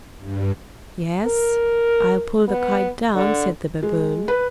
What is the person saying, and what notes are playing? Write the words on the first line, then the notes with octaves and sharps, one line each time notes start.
"Yes, I'll pull the kite down," said the babboon.
G2
A#4
B3
D3
G#3
B4